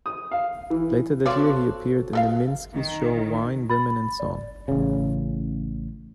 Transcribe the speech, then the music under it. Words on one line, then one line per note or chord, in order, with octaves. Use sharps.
Later that year, he appeared in the Minsky's show Wine, Women and Song.
D#6
F5
E3
C4 F#4 A4 C#5 D5 F5
G#3 A4 F5
D#3
B5 A6
D5
A1 C#3